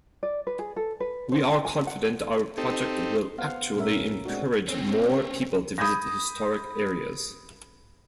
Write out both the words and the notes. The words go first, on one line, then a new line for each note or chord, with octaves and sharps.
We are confident our project will actually encourage more people to visit historic areas.
D5
B4
G#4
A4
B4
C5
G5
G#5
F#5
C4 D#4 G4 A4
B3 C5 F5 F#5
A#2 A3 C#4 A#4 E5
G#3 C4 D4 F#4
C4 C#4
B5 D#6 G6 G#6 A#6